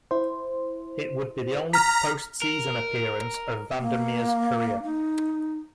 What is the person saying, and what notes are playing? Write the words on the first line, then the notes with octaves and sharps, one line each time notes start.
It would be the only post-season appearance of Vander Meer's career.
E4 C5
A#5 F6 B6
A#4
A#3
D#4